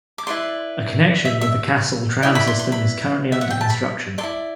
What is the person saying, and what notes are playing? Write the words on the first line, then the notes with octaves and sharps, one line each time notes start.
A connection with the Kassel tram system is currently under construction.
D6
E4 B4 D5 C6
E5
E5
E4 B4 D5 G5
B5
C6
C6
B5
E5
F#5
G5
A5
B5
A4 D5 C6
E4